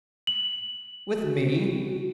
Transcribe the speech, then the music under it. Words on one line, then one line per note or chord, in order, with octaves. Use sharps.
"With me!"
F#7
F#4